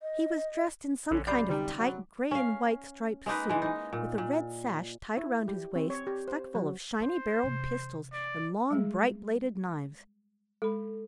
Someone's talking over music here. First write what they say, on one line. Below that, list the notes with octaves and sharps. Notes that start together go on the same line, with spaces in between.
He was dressed in some kind of tight gray and white striped suit with a red sash tied round his waist stuck full of shiny-barreled pistols and long bright-bladed knives.
D#5
A#1 D3 C#4
F#2 C3 D5 A#5 B5 D6 G6 C7
D3 G3 D#4 G5
F#3
C#4 F5
G#3 A#3 D#4 B4
E3 G#3
D#4
A#2
A#2
E4
G4
C4
C#5
G4
C5
F#3
D#4 C5
C3 E3
D5
G3 G#3 G#4
G#3 A4 B5